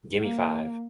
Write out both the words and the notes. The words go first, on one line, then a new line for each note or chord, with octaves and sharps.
Gimme five.
A#3